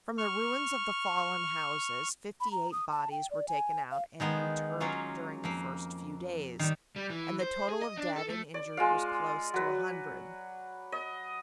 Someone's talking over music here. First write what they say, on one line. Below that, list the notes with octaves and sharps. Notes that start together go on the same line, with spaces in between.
From the ruins of the fallen houses fifty-eight bodies were taken out and interred during the first few days, and the total of dead and injured was close to a hundred.
C#6 F6
B5
A#5
D#6
A5
G5
D5
G#5
F5
D#3 G#3 B3 D#4
F#3 G#3 A#3 C#4 F4
F2 A#3
D#3 G3
G3
E3
C5
G#4
D#5
D4
A4
A3
D5
G#3 F4 F5
F#3 B4
D#5